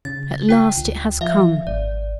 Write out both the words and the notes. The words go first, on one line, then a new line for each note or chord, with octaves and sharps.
"At last, it has come!"
C#3 A6
F4 G5
D2
F3 E5 F5
G#1 D5